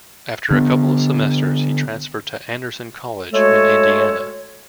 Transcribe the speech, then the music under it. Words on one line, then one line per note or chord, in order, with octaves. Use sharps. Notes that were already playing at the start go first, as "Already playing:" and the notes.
After a couple of semesters he transferred to Anderson College in Indiana.
D3 B3
G#3 A3 F#4 A4 C#5